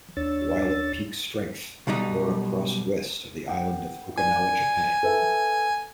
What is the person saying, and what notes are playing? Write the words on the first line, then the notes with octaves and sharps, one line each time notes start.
While at peak strength, Nora crossed west of the island of Okinawa, Japan.
D#2 D4 C#5 E6 A6
B1 B2 G3 D#4
F#5 G5
D5 G#5
A4 B4 E5